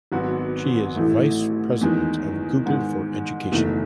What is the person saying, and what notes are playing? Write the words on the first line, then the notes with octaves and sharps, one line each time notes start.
She is vice president of Google for Education.
G#1 G#2 F#3 B3 F#4
A1 A2 E3 A3
E2 D#3 G#3
G#2 D#3 G#3
F#1 E2 D#3 A3